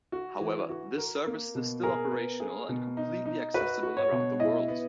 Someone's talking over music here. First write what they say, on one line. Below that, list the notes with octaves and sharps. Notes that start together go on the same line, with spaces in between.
However, the service is still operational and completely accessible around the world.
F#4
E3
F#4
A#4
A#3
B2
G#4 A#4
B3
G#4
B2
D#4
D#4
F#4 B4
F#4
C#5
B2
E4 D#5
B3